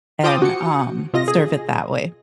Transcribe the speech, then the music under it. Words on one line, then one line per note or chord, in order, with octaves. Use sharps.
and, um, serve it that way.
F4 C5 G5 A5 D6 D#6
F#4 C#7
C3 F4 D#5 A#6
G#4